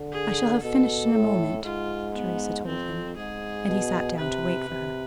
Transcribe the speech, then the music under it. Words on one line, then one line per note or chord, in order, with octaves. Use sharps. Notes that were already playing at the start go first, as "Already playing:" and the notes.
"I shall have finished in a moment," Theresa told him, and he sat down to wait for her.
Already playing: D3
G#4
B2 A4
A2
G#2 F4
B3
F2 C4
G#2 G#4
B2
C3 B4
C3